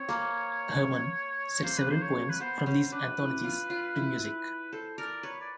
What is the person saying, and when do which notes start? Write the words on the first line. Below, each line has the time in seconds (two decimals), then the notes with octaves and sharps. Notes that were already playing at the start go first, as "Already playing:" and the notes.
Herrmann set several poems from these anthologies to music.
Already playing: C4 C#5
0.09 A#3
1.63 A#3 C5
1.78 B4
1.90 C5
2.02 C#5
2.30 B4
2.40 B3 C5
2.66 C#4 C5
2.92 D4 B4
3.17 E4
3.43 F4
3.70 F4
3.96 E4
4.73 A4 C5
4.98 A#4 D5
5.23 B4 C#5
5.41 D5